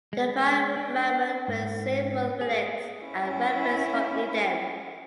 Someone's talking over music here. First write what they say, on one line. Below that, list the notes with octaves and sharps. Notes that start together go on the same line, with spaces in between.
They find Mammon with several relics and weapons from Eden.
G#3
D4
G#2
G#4
C#4 E4